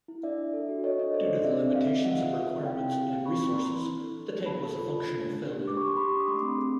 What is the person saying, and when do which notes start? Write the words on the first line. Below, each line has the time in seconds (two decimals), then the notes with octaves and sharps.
Due to the limitations of requirements and resources, the tank was a functional failure.
0.08 E4
0.23 D4 D5 E5
0.38 D4
0.53 A4
0.69 F#4
0.84 A4 C#5 D#5
0.99 D4 C#5 D#5
1.14 A4 C5 D5
1.29 D4
1.44 C4 D5 E5
1.59 C4
1.75 C4 D#5 F5
1.89 G#4
2.05 G#4 E5 F#5
2.20 F4
2.35 G#4
2.50 C4
2.65 E4 F5 G5
2.81 C4
2.96 G4
3.11 C4
3.26 C4 B5 C#6
3.41 C4
3.55 C4 A#5 C6
3.71 E4
3.86 D4
4.01 A4
4.17 D4
4.31 B3
4.46 B3 A5 B5
4.62 A4
4.77 F4
4.92 F4
5.07 D4
5.22 D4
5.38 D4
5.53 G4
5.67 G4 D6
5.77 C#6
5.82 G4
5.88 C6
5.97 G4 B5 C#6
6.13 D4
6.20 D#6
6.28 A3 C6 D6
6.43 C4
6.58 G#4